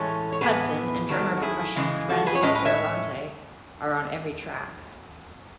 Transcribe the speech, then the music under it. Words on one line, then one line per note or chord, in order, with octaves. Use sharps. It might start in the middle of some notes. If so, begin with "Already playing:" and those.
Hudson and drummer-percussionist Randy Ciarlante are on every track.
Already playing: A2 E3 G#3 C#4 A4 C#5
C#5
A2 E3 B3 G#4 B4
D#3 F#3 A3
F#4
E4 G#4
C#3 E3 G#3
F#4 A4
G#4 B4
C#5
A2 G#3 C#4 B4 D#5
B4 D#5
C#5 E5